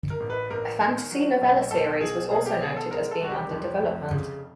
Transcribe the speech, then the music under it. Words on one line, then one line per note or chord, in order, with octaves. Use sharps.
A fantasy novella series was also noted as being under development.
A#4
A1
B4
A1 A#4
D#3
F#3
B1
B1 A4
B1 G#4
B2 G#4
G4
G#3 G#4
A4
G#3 A#4
A4
C2 F#4
G4
F2
F1
C#3